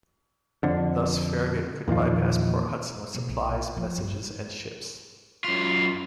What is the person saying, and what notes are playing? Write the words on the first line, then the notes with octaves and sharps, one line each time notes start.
Thus, Farragut could bypass Port Hudson with supplies, messages, and ships.
F2 D3
E2 A#2 D#3 F3
B2 B3
B1
F3
G2
F#2 F4